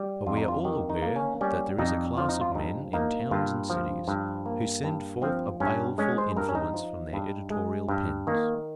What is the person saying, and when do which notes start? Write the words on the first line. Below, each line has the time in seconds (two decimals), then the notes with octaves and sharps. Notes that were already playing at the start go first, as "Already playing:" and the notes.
But we are all aware that there is a class of men in towns and cities who send forth a baleful influence from their editorial pens.
Already playing: G3
0.26 F2 F4
0.37 D#4
0.48 F4
0.65 D#3 G4
0.90 D#4
1.02 A#3
1.16 C#4
1.41 G3 C#4
1.79 F2 D#4
2.17 F3 F4
2.29 D#4
2.41 F4
2.55 G2 D#4
2.93 A#3 D#4
3.31 G2 F4
3.70 F3
4.08 G2
4.46 A#3
4.84 G2
5.22 F3 C4
5.60 G2 C#4
5.98 G#3 C#4
6.18 C5
6.36 G2 A#4
6.49 C#4
6.55 D#4
6.74 F3
7.13 G2
7.50 G#3
7.88 G2
8.27 D#3 A#3